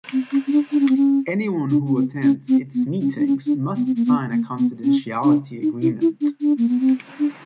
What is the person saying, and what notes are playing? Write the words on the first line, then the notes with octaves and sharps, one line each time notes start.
Anyone who attends its meetings must sign a confidentiality agreement.
C4
C#4
C#4
D4
D4
C#4
C4
C#4
D4
C#4
C4
C#4
C4
B3
C#4
D4
C#4
D4
B3
C4
A#3
B3
A#3
B3
C#4
D4
D#4
E4
E4
D4
D4
A#3
B3
C4
D4